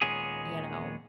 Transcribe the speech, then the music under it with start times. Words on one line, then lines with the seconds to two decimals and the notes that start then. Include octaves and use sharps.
You know?
0.02 D#2 A#2 G#3 B3 C#4 G#4